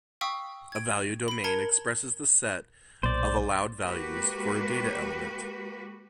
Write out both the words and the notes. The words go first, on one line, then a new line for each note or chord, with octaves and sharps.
A value domain expresses the set of allowed values for a data element.
F5 G5 C#6 D#6 E6 B6
G#6 D7
B5 D7
A#4 A5 A#5 G#6 C#7
B1 A#2 C5 D5
G#3 A#3 F#4 G4 B4